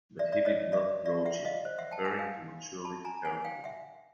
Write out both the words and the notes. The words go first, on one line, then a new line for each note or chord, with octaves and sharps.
But he did not broach it, preferring to mature it carefully.
D5 E5
D5 E5
C#5 D#5
D5 E5
D5 E5
E5 F#5
D#5 F5
C5
E5 F#5
G5 A5
F#5 G#5
F5 G5
A5 B5
G#5 A#5
F#5 G#5
F5 G5
E5 F#5